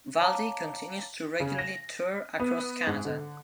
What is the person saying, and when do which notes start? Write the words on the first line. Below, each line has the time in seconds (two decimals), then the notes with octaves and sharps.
Valdy continues to regularly tour across Canada.
0.20 C#5 F5 A5 A#5 D6
1.40 C#3
1.59 A#6
2.40 B3
2.87 G#2
3.05 D3